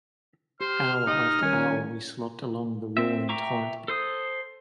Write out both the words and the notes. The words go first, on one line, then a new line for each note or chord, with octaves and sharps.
Hour after hour we slopped along by the roaring torrent.
G4 C5 F6
D#4 D#5
D#3 G3 C#4 A#4 G#5
C4 E5
E5 G5 A#5 C#6 D6
A4 C5 D#6